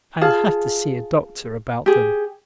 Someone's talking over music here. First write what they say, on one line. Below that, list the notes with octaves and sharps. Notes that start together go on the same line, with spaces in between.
I'll have to see a doctor about them.
F4 G#4 F5 A5
G4 G#4